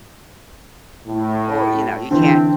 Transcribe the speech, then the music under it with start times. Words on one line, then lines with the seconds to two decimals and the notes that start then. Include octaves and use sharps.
or, you know, you can't
1.07 A2
2.11 D3 E3 C4